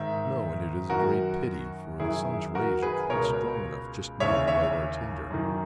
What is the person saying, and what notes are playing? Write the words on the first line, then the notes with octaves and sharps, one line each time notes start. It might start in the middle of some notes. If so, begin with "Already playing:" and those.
"No, and it is a great pity, for the sun's rays are quite strong enough just now to light our tinder."
Already playing: G#2 D#3 E5
F#2 D#3 F#4 A#4
F#2 D#3 E4 G#4
F#4 A#4
G#4 B4
C#2 B2 A#4 C#5
D#2 C#3 E3 C#5 E5
C#5 E5
F#2 D#3